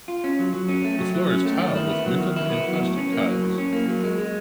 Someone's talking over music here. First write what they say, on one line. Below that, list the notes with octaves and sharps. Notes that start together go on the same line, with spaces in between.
The floor is tiled with Minton Encaustic tiles.
F4
C#4
F#3
F#3
C#4
A3
F#3
F#3
C#4
A3
D#3
E4
B3
F#3
D#3
E4
B3
F#3
A2
C#4
A#3
F#3
A2
C#4
A#3
F#3
G#3
G#3